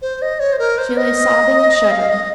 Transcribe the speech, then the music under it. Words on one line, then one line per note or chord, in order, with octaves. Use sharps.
She lay sobbing and shuddering.
C5
D#5
C#5
C5
A#4
C5
D#5
F5
D#5